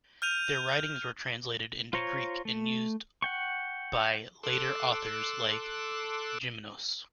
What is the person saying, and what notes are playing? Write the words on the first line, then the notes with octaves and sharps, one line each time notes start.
Their writings were translated into Greek and used by later authors like Geminos.
F6 G6 D#7 F7
F4 C5 C#5 A#5 C#6
A3
F#5 G5 C#6
A4 C6 D6 E6 F#6